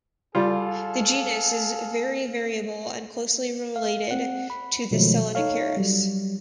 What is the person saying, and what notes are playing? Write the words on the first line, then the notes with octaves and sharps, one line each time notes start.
The genus is very variable and closely related to Selenicereus.
G3 F4 G#4 A4 F5
F5
C4 F#5
B5
B2 D#3 F3 F#3 G#3 A3
D#4 A4 C#5 F5
F#3 G3